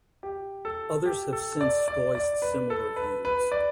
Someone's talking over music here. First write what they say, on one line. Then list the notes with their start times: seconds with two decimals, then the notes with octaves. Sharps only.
Others have since voiced similar views.
0.23 G4
0.65 A4
1.06 G4
1.33 A4
1.61 D5
1.88 D5
2.15 D5
2.42 B4
2.70 A4
2.96 B4
3.25 B4
3.52 D5